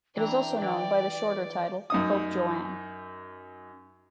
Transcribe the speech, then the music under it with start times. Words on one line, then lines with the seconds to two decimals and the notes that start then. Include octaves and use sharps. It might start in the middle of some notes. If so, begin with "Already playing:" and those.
It is also known by the shorter title Pope Joan.
0.17 E3 D4 G5 A#5
0.62 E3 D5
1.90 F#2 D#4 D#6